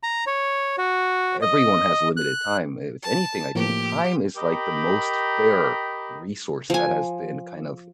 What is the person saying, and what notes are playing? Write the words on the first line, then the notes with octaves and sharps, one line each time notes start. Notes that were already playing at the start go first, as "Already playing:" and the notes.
everyone has limited time. If anything, I think time is, like, the most fair resource that has been, kind of,
A#5
C#5
F#4
D#5
F#6
A5
A2 F3 A#3 G4
G4 A#4 D#5 G5 A#5 B5
F3 G#5